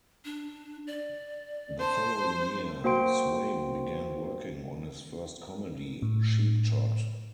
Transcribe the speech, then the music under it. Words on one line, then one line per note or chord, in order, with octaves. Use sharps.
The following year, Swaim began working on his first comedy, "Cheap Shot".
D4
D5
C5 A5
A#3 F#4 C5 G5 C6 D7
A2